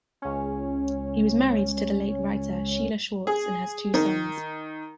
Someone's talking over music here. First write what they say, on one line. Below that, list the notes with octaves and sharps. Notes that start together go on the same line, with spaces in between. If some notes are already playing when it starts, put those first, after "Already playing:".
He was married to the late writer Sheila Schwartz and has two sons.
C#2 C#4
G#4
D#3